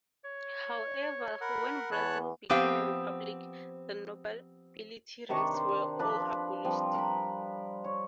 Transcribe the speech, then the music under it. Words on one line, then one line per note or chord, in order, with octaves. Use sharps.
However, when Brazil became a Republic, the nobility ranks were all abolished.
C#5
A#4 F#5 B5
E2 C#5 A5 F#6
F3 B3 C4 G4 F5
C3 D#3 D4 C#6
C5
F3 D4 B4 B5
F3 G3 C4
A#4 B5
C#5